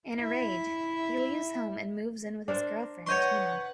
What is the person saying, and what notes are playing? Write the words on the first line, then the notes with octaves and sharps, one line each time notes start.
In a rage, he leaves home and moves in with his girlfriend Tina.
E4 E5
D4 A#4 C5
B4 C#5 D#5 F#5 C6 C#6 G6 G#6